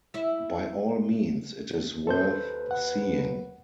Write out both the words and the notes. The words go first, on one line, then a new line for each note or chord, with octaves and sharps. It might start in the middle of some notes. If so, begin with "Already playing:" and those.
By all means it is worth seeing.
E4 E5
D#2 A4 B4 C5 G6
F#5